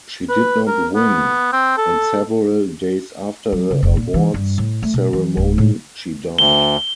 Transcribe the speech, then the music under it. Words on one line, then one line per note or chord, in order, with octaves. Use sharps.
She did not win, and several days after the awards ceremony, she died.
B4
A#4
B3
C4
A4
F#3
C#3
F1
A#2
E3
G2
A2
A3
B2
E3
D1
A2
D2 G7